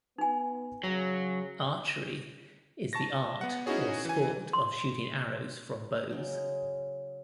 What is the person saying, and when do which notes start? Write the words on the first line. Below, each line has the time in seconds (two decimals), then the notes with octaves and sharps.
Archery is the art or sport of shooting arrows from bows.
0.18 B3 D#4 G#5
0.83 C#3 F#3
2.93 A5 C#6 A6 A#6
3.41 B3 F#5
3.66 C#4 D#4 E4 F#4 G#4 C#5
4.05 E3 G#5
4.53 C6
6.11 C#3 F#3 G#3